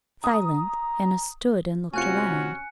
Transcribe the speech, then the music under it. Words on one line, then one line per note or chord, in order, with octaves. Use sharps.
Silent, Anna stood and looked around.
A#5 D#6
C3 A3 C#4 F4 F#4 G#5 F#6 C#7